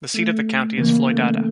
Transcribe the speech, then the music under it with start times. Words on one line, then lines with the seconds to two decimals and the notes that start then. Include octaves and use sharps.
The seat of the county is Floydada.
0.14 A3
0.78 C#3 E3 A#3
1.10 A3